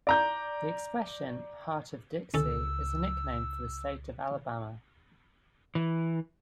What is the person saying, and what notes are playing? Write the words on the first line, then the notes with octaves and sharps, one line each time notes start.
The expression "Heart of Dixie" is a nickname for the state of Alabama.
D5 A#5 G6
C#2 C#4 A4 E6
E3